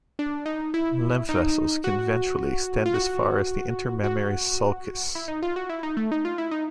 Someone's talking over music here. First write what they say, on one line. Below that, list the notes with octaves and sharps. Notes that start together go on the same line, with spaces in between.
Lymph vessels can ventrally extend as far as the intermammary sulcus.
D4
D#4
E4
D#4
F#4
F4
F#4
F#4
E4
D#4
F4
F#4
E4
D#4
A3
D#4
F4
E4
D#4